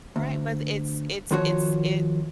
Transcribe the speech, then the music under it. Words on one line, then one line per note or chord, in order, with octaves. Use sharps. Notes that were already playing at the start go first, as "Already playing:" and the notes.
Right, but th it's it's it's it
D2
D#3 F3 F#4 C#5